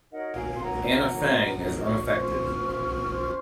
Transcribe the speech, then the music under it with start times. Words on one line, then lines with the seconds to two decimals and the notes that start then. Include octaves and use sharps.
Anna Fang is unaffected.
0.11 D#4 F#4 A#4 C#5 D#5 F#5
0.36 F5 G#5
0.53 C6
0.61 D#4 F#4 A#4 C#5 F#5 A#5
1.11 D#4 F#4 A#4 C#5
1.60 D#4 F#4 A#4 C#5
1.84 C#6 F6
2.09 C#4 F4 C5 C#6 F6
2.59 C#4 F4 C5
3.08 C#4 F4 C5